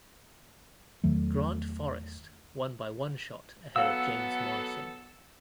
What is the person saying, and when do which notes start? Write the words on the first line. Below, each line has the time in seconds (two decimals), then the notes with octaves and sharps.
Grant Forrest won by one shot ahead of James Morrison.
1.04 E2 D#3 F#3 A3
3.76 F#3 B3 A4 F5 F#5 E6